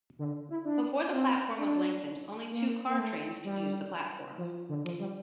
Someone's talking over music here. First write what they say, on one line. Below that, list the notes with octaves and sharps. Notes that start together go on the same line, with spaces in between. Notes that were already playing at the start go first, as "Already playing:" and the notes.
Before the platform was lengthened, only two car trains could use the platforms.
D3
E4
D4
C4
D4
A#3
A#3
A3
G3
F3
D3
F3
G3